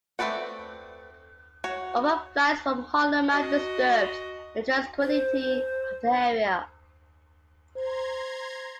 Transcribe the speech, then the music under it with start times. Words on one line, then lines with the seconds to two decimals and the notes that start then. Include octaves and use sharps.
Overflights from Holloman disturbed the tranquility of the area.
0.19 A3 C4 B4 D5 F#5
1.64 F#4 C#5
3.30 F#4 D#5
5.01 C5
7.75 C5 A#5 C6 G#6